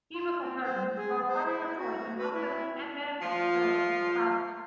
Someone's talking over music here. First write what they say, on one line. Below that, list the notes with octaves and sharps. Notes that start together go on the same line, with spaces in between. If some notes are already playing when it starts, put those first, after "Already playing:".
Cubicle curtains are a popular choice in hospitals and medical facilities for privacy.
F4
C4
C5
G#4
C5
E4
F#4
B4
E4
F3 F4